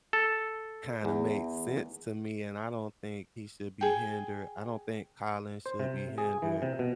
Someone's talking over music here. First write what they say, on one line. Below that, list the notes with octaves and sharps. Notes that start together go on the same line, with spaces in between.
kinda made sense to me, and I don't think he should be hindered. I don't think Collin should be hindered.
A4
E2
G#4 G5
C5
C3
G#4
E3
C3
B2